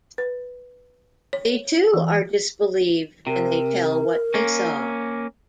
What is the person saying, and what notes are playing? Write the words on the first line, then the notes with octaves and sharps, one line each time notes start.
They, too, are disbelieved when they tell what they saw.
B4
C#5
E3
C3 A#4
A#3 C#4